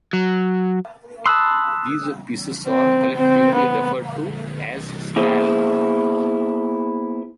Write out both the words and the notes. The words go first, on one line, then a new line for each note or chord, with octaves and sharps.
These pieces are collectively referred to as spall.
F#3
A5 B5 C6 D#6 E6 F#6
C4
C4
B3
A#3 B3 E4 G#4 C5